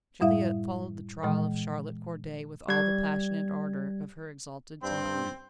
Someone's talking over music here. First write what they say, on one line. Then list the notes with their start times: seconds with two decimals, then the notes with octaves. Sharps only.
Juliette followed the trial of Charlotte Corday with all the passionate ardour of her exalted temperament.
0.20 F#2 A2 G3 E4 E5 F5
1.23 A#2 E3 G#3
2.68 G3 G#6
4.83 G2 C4 C6